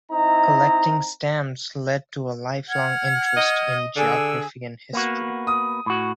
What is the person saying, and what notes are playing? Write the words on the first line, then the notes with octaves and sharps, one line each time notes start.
Collecting stamps led to a lifelong interest in geography and history.
C4 D#4 E4 D#5 A#5
F#5 F6 G#6
D#5
D3 G#4 G#5 E6
A#3 B3 F#4
D#6
A2 F#4